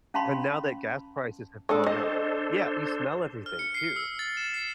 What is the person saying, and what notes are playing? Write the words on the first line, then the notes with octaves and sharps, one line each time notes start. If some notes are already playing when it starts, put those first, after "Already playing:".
and now that gas prices have gone up Yeah, you smell everything too.
C#4 F5 A5 B5 C6
G#3 D4 A4
D4 A4 C5 D#5
F6
C#7
C7
E6
A6
E7
C7